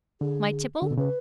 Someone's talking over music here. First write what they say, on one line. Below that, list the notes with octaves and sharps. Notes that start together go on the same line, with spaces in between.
My tipple.
D3 G#4
D3 A4
B2
C#3 B4